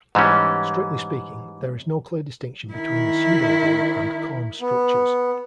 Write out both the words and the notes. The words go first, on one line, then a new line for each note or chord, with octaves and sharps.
Strictly speaking, there is no clear distinction between the pseduobulb and corm structures.
G#2 E3 G3 C#4
D#3 E4
B3